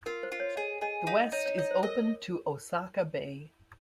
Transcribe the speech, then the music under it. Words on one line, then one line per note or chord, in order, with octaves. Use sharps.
The west is open to Osaka Bay.
F4 A#4
C5
F4
C#5
G#4 D#5
G#4 D#5
D#4 F5
D#5
D#4 C#5
C#5
C#5 D#5
C5
A#4 D#5